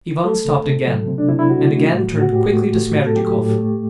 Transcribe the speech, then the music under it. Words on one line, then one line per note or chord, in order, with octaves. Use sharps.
Ivan stopped again, and again turned quickly to Smerdyakov.
A3 A4
C3
C3
F#3
C3
D4
C3 E4
E4
C3 F#4
A3
A2
A2
F#4
A2 G4
A3
A3
A2
A4
F#3 G4
A2
A3